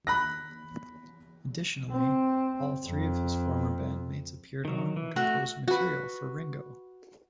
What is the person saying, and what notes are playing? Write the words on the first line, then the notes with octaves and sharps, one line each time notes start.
Additionally, all three of his former bandmates appeared on and composed material for "Ringo".
B5 F#6 A#6
C4
F2
D#3 F#3
E3
A3 F#4
F#4 B4